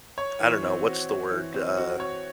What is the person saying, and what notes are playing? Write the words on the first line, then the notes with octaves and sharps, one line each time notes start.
I don't know. What's the word, uh
C#5
E3
C4
F#4
C#5
E3
C4
F#4
C#5